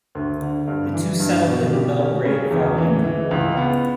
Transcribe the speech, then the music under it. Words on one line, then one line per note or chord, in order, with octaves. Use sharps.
The two settled in Belgrade following the war.
D2
D3
G2
E3
G2
B2
G4
C#4
C#3
E2
E3
E3
C#2
B3